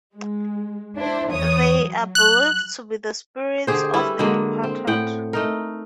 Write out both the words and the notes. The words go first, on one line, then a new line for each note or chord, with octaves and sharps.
They are believed to be the spirits of the departed.
G#3
D4 E4 C5
E2 C#5 D#6
F#3
F#6
D3 G4 G#4 C5
G3 C#4 E4 B4
D3 F#3 G#3 A#3
C4
A2 F#5 G5
A3 D#4 A#4